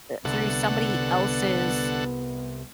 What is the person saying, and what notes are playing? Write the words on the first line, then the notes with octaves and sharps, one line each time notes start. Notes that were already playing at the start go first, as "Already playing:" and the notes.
uh, through somebody else's,
C2 D3 B3 A4 F#5